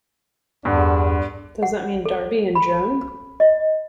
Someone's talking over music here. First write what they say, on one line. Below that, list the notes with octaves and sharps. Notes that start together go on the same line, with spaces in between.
Does that mean Darby and Joan?
E2 G2 D3
F#5
A4
B5
D#5